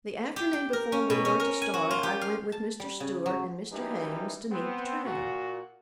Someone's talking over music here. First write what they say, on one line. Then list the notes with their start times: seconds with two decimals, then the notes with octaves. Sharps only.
The afternoon before we were to start I went with Mr. Stewart and Mr. Haynes to meet the train.
0.36 G4
0.53 G5
0.73 A#4
0.92 C#4
1.10 B2
1.25 C#4
1.40 A#4
1.62 G#5
1.74 F#4
1.91 F4
2.03 G4
2.21 F5
2.52 A5
2.80 G3
3.00 C#3
3.26 F#3
3.71 F#2 E3 G3 D#4 G4
4.51 B3 C4
5.05 A#2 F#4